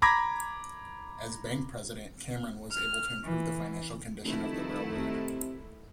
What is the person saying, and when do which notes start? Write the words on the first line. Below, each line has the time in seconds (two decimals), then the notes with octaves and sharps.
As bank President, Cameron was able to improve the financial condition of the railroad.
0.02 A#5 B5 D6 G#6 A#6 B6
2.71 F6
3.23 E3
4.24 F1 D#3 A3 E4
4.97 C3